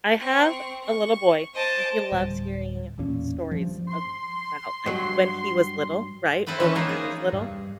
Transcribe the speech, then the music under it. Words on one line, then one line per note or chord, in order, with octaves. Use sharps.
I have a little boy, and he loves hearing stories about, like, when he was little, right, or when I was little.
C4 C#6
C#6
C5 D#5 A5 D6
D1 G3
E1 A1 A#2 C#4
G2 F3
C6
G2 F#3
C4 E4 A4 B4 G5
E3 C#4 E4 A5
F3 A#3 D#4
G#4
G2